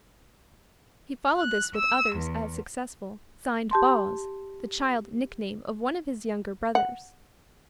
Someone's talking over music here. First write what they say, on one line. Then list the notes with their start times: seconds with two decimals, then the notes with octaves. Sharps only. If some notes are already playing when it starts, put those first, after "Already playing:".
He followed this with others as successful, signed "Boz"--the child nickname of one of his younger brothers.
1.36 F#6
1.75 E6
2.17 E2
3.71 G4 A5 C6
6.75 F#5